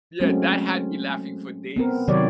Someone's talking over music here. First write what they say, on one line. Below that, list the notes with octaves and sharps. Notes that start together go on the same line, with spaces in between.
yeah, that had me laughing for days.
F#3 G#3 A3 C4 C#4 F#4
B3 C4 A#4
C3 D#3 F#3 G4 C#5 D5